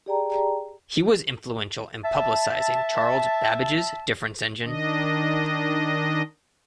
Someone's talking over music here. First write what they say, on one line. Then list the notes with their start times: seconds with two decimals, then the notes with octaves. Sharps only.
He was influential in publicising Charles Babbage's difference engine.
0.06 G4 G#4 D5 G5 A5 A#5
2.04 E5 A5
4.64 D#3 D4 D#5